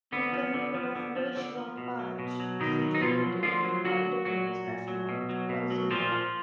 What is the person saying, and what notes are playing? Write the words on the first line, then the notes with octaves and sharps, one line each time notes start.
The commune of Weiswampach is situated in the Ardennes of north Luxembourg.
D3 B3
F3
D3
F3
D3
F3
D3
F3
B2
F#3
B2
F#3
B2 D#3 D#4
F#3
D#4
B2 F3 F4
F#3
D3 F3 F4
F#3
D3 F#3 F#4
F#3
A#2 F#3 F#4
F#3
A#2
F#3
B2
F#3
B2
F#3
A#2 F3 F4
F3